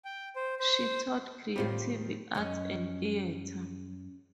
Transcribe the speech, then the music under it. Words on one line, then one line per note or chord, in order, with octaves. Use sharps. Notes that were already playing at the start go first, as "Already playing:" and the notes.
She taught Creative Arts and Theatre.
G5
C5
C5
E2 A2 D#3 G3 C4 F4
C#2 F#2 C#4 D#5